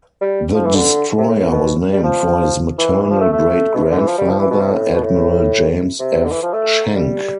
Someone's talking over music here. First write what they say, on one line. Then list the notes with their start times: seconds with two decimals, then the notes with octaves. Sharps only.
The destroyer was named for his maternal great-grandfather, Admiral James F. Schenck.
0.21 G3
0.54 F3
0.65 E3
0.75 D3
1.18 C3
1.29 A2
1.40 A2
1.50 B2
1.93 G3
2.04 F3
2.78 E3
3.03 E3
3.11 F3
3.21 A3
3.32 A3
3.75 B2
3.83 C3
3.91 D3
3.99 E3
4.07 F3
4.18 G3
4.29 F3
4.39 E3
4.50 B2
4.60 C3
4.71 A2
4.93 B2
5.04 A2
5.99 C3
6.25 D3
6.31 E3
6.43 F3
6.53 A3
6.96 G3